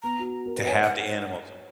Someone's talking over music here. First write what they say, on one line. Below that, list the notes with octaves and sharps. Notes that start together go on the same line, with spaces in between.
To have the animals
B3 A#5
F#4
A#4
B4
C#5 G#5
F#5